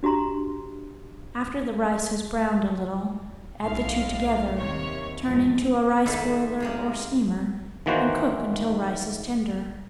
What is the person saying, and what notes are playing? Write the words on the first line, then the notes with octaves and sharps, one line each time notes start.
After the rice has browned a little, add the two together, turn into a rice boiler or steamer and cook until rice is tender.
D4 F#4 G4 A#5 C6
B1 A2 F5
D#2 C3 C#5
E2 G#2 F3
D#3 G#3 E4 A4 B4 D5
C3 G#3 A#3
D#3 E3 A#3 F#4 B4 C5